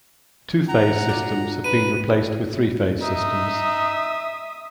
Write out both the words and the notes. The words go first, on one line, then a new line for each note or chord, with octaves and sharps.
Two-phase systems have been replaced with three-phase systems.
F#5 A#5
D4 F4 F#4
B4 D#7
D#4 E5 D#6